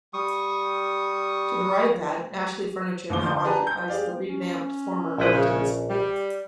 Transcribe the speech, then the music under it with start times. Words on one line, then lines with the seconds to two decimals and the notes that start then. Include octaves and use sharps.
To the right of that, Ashley Furniture now occupies the revamped former Uptons.
0.14 G3 C#6 D#6
3.10 A1 D#2 D6 G7
3.23 D3 D4 G6
3.45 D4 G4 B4 G#5 A#5
3.67 G6
3.88 G4 G#4 D5 F5
4.29 C#4
5.18 A#1 E4 B4 C5
5.33 C#3
5.90 G3